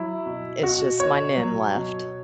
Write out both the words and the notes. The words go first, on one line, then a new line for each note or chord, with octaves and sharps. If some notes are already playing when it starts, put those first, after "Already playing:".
it's just my Nin left.
Already playing: F#3 E4
B2
B2 F#4
B2 C#5
F#3
B2